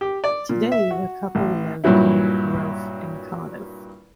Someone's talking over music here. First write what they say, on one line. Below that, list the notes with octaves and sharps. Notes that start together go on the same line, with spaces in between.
Today, the couple live in Roath in Cardiff.
G4
D5
A#2
E5
F#4
A1
G2 A#2 F#3 E4